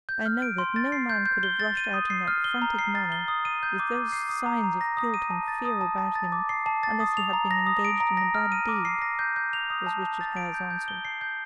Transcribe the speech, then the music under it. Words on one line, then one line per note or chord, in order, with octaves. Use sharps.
"I know that no man could have rushed out in that frantic manner, with those signs of guilt and fear about him, unless he had been engaged in a bad deed," was Richard Hare's answer.
G6
F6
D7
C6
A6
C7
G6
G6
G7
A6
D#7
D#6
C7
F6
G7
A#5
C7
A6
G7
D#6
D#7
G6
D6
D6
C7
D#6
A#5
A#5
A#6
D#6
D#7
A5
A6
D#6
A5
A5
A6
D6
C7
A5
A6
D#6
F7
A#5
A#6
D#6
D7
A#5
A#6
F6
D#7
D6
C7
A#6
G6
G6
F7
D#6
A5
A5
A6
D7
G6
G6
G7
C7
G6